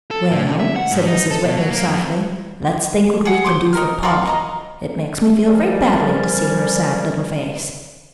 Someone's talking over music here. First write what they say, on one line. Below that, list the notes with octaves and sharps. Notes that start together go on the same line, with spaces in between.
"Well," said Mrs. Whitney, softly, "let's think what we can do for Polly; it makes me feel very badly to see her sad little face."
A4
A2
C3
E5
F#5
G#2
D#4
A4
B2
F#3
A#3
F2
G#4 F#5
C6 D6 G6
D#4 A#4 F6
F4 A#4 F5 F#5
D#5 A#5
F3 G3 C#4 A#4 D5